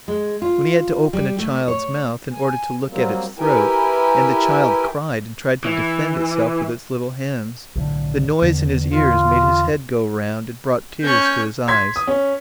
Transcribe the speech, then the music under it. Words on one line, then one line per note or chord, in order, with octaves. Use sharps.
When he had to open a child's mouth in order to look at its throat, and the child cried and tried to defend itself with its little hands, the noise in his ears made his head go round and brought tears to his eyes.
G#3
F4
G3
A3
C#5
G#5
F#3 G3 A#3 C4
E4 G4 A#4 B4 G5 G#5
E3
B1 A2 D3
E2 D3
F4
C#4 C#5 G6
C6 G#6 B6
D#6
C#4